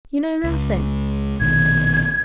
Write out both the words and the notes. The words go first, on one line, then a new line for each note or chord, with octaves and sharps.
"You know nothing."
C#2
A#1 B2 D#3 G#6